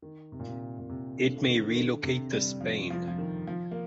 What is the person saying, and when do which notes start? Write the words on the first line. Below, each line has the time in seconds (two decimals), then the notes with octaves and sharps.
It may relocate to Spain.
0.02 D#3
0.32 C3
0.40 A#2
0.47 C3
0.79 A#2
0.89 C3
1.18 D3
1.36 D3
1.47 D#3
1.70 D#3
1.75 D3
2.03 C3
2.32 G3
2.61 F3
2.90 F3
3.08 F3
3.18 D#3
3.47 F3
3.71 A#3